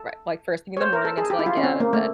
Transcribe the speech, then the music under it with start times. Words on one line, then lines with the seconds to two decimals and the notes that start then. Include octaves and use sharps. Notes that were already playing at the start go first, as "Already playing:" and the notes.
ri like, first thing in the morning until I get out of bed
Already playing: A4
0.77 C#5
0.81 C5
0.93 A#4
1.05 A4
1.18 G#4
1.30 G4
1.39 E4
1.46 F4
1.57 C#4
1.63 C4
1.80 A#3
1.93 A3